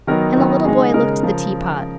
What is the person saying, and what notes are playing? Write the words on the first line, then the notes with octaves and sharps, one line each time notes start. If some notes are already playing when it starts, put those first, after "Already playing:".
And the little boy looked at the tea-pot.
D#3 F#3 B3 D#4 A#4
D#3 F#3 B3 D#4
C#3 G#3 D#4 G#4
C#3 G#3 D#4 A#4
C#3 F3